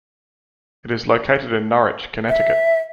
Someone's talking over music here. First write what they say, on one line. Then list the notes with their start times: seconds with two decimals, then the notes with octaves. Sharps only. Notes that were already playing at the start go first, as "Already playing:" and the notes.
It is located in Norwich, Connecticut.
2.29 E5